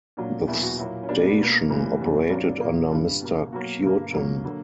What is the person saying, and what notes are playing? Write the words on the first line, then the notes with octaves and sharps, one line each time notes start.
The station operated under Mr. Cureton.
A#2 F#3 A#3 D4
E2 B2 F#3 A#3 E4
F#4
A#2 F#3 A#3 E4
C#4
B2 G3 A#3 D4
B3
B2 A#3
F#2 C#3 E3 G3 A#3
E2 B2 F#3
G2 F#3 A#3 D4
A#2 A#3
G2 D3 G3
B2 A#3
B2 F#3 A#3 F#4
G2 D3 A#3
B2 F#3 A#3
D3 F#3 A#3